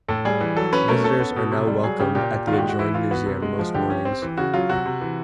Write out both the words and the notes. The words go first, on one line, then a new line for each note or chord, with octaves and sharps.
Visitors are now welcomed at the adjoined museum most mornings.
A2 A4
G3 G#4
E3
F#3 A4
C#4 B4
A3 A#4
C#4 A4
B3
B2
C3
G3
F#3 G#4
C#3 G4
A#2 G4
A#2
D#3 F4
F#4
G#3 G4
F#4
E3 E4
E3 F4
B3 F#4
C3
G#3
F3
D3 G4
C#4
C4
E3
C#3 F#4
F#3 F4
C3 F#4
C3
E3